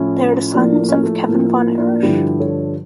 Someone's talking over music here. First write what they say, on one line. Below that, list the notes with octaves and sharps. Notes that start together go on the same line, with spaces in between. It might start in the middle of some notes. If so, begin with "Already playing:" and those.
They are the sons of Kevin Von Erich.
Already playing: A2 F3 C#4 E4
A2 F3 A#3 D4
A#3
C#4
A#3
A3
A2 F3 A#3
A#3
A#3 D4
G2 D3 F3 E4 G4
A4 C#5